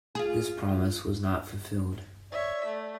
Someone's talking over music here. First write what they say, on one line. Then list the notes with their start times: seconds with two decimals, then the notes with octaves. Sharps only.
This promise was not fulfilled.
0.15 F4 G#4
2.32 C#5 D5 E5
2.66 A3